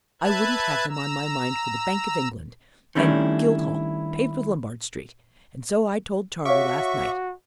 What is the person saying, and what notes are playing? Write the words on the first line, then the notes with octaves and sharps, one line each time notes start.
I wouldn't have them on my mind for the Bank of England, and Guildhall, paved with Lombard Street, and so I told Charley last night.
B4 E5 A5 F#6 G#6
A#5 E6
D#3 G3 A3 C#4 D4 E4
F#4 C#5 E5 F5 C#6 D6